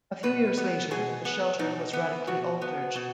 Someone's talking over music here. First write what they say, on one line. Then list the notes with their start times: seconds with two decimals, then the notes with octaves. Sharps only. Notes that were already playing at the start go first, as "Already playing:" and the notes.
A few years later, the shelter was radically altered.
0.23 B2 B4
0.57 B3
0.91 B2 G#4
1.25 B3
1.59 B2 D#4
1.93 B3
2.27 B2 F#4
2.61 B3
2.95 B2